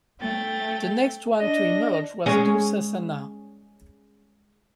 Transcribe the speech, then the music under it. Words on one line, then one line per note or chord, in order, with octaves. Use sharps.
The next one to emerge was Dussasana.
A3 G5 A6
D4 D#5 A#6
G#3 C#4